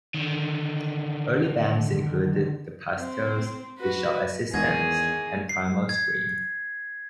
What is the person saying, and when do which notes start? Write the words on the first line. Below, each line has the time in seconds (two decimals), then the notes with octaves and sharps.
Early bands included The Pastels, The Shop Assistants and Primal Scream.
0.14 D3 D#3
2.97 C4
3.79 F#4 B4
4.54 E2 G#2 D#3 G#4 G#6 A#6
5.49 C7
5.89 G#6